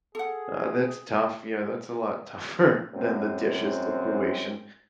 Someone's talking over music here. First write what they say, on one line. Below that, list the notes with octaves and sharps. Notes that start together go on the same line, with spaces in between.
Uh, that's tough yeah, that's a lot tougher than the dishes situation.
G#4 A4 F#5
F#2 C4